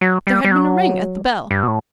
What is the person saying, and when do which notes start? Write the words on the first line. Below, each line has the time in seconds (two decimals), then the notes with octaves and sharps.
There had been a ring at the bell.
0.01 F#3
0.27 G3
0.44 G3
0.52 F#3
1.51 G2
1.63 B2
1.68 A2